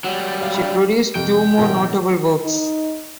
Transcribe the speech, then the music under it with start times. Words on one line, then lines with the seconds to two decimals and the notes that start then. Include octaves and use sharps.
She produced two more notable works.
0.04 F#3 G3
0.41 G4 F5
0.54 D4 F5 B5
1.15 F2 C3 G5
1.58 A1 B2 A#4
2.44 D#4